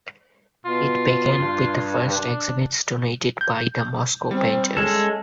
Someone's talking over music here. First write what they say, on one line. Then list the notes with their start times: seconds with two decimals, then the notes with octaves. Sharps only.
It began with the first exhibits donated by the Moscow painters.
0.65 B2 F4
1.40 G2
2.07 D4
3.41 G6
4.31 G3 C4
4.77 G#3 A3 C#4 A4